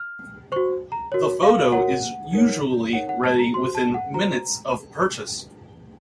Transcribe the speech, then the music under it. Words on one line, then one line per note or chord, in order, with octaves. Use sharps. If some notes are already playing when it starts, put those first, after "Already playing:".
The photo is usually ready within minutes of purchase.
Already playing: F6
F#4 C5 C#6
A#5
F#4 A#4 C#5
F5
F#4 A#4 C#5 F#5
D#4 A#4 C#5
D#4 A#4 C#5 F#5
F#5
A5
A#5
F#4 C5 C6
A5
F#5
F#4 C5 A#5